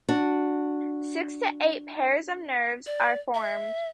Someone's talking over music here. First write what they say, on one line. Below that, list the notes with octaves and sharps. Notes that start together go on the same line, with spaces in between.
Six to eight pairs of nerves are formed.
D4 F#4
D5
E5